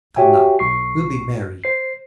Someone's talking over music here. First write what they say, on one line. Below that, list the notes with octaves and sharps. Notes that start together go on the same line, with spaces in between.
Come now, we'll be merry.
F#4 G4 C#5 E5 G5 G#5
B1 C#6 C7
C5 C7